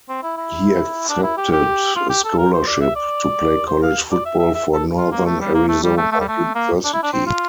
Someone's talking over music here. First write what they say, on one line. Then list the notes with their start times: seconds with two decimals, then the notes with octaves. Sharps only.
He accepted a scholarship to play college football for Northern Arizona University.
0.09 C4
0.23 E4
0.37 E4
1.09 D4
1.23 E4
1.37 G4
1.52 G4
1.96 F4
2.09 G4
2.24 A4
2.38 A#4
2.53 C5
2.67 D5
2.81 E5
2.96 D5
3.67 C5
3.82 F5
4.11 D5
4.25 E5
4.39 E5
4.55 E5
4.73 A4
4.97 F4
5.11 A#3
5.26 A3
5.41 G3
5.54 A#3
5.69 A3
5.83 G3
5.97 A3
6.12 A3
6.20 G3
6.28 A3
6.55 A#3
6.84 D4
6.93 E4
7.03 D4
7.13 C4
7.27 F4